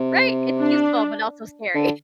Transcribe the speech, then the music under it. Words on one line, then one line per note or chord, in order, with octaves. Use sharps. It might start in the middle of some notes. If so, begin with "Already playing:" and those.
Right, it's useful, but also scary.
Already playing: C3
D4
D3